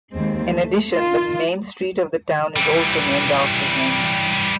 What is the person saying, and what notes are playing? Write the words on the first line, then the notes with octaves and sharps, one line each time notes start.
In addition, the main street of the town is also named after him.
D#2 G#3 C4
A3
F4
E3 G3